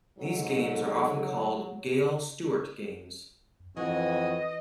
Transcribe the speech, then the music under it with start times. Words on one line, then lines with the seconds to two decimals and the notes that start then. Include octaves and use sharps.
These games are often called Gale-Stewart games.
0.19 G#2 F#3 A4
3.77 F2 E3 F#4 D#5 G#5